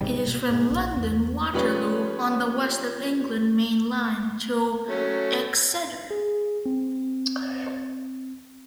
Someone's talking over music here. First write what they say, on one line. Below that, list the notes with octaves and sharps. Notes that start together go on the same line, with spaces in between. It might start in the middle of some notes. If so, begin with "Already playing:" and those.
It is from London Waterloo on the West of England Main Line to Exeter.
G#1 G#2 C3 G3
B2 A#3
G#2
A#1
E2
F3 G3 C#4 B4 C#5
F#3 A3 C#4
G#4
C4